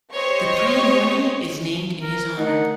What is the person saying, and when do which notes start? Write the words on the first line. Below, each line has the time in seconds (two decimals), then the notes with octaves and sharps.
The Prix Morny is named in his honour.
0.13 G4 C5 C#5 D#5 C#6
2.02 A#4
2.38 A3 D#4 A#4 F#5